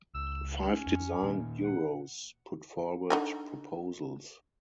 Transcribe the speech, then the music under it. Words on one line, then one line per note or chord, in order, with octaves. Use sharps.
Five design bureaus put forward proposals.
C#2 E6
C#4
F2
A#2 D#3
F#5
D3 D#4 G#5